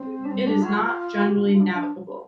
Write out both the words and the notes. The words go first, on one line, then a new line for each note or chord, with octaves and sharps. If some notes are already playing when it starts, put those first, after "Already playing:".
It is not generally navigable.
Already playing: C4
D4
C4
D4
F4
G4
F4
D4
F4
D4
F4
D4